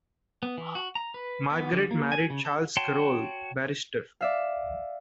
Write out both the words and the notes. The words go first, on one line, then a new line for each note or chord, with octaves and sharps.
Margaret married Charles Carroll, Barrister.
B3
E3
F#4
A#5
B4
B3
D3
A#3
G#5
C#3
A4
F#4 C#5 G5 A5 C6
D5 E5 F5